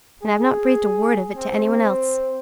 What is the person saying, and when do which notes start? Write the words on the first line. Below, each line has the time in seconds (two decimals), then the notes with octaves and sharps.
And I've not breathed a word of it to any one else.
0.23 G#4
1.36 C4
1.69 C4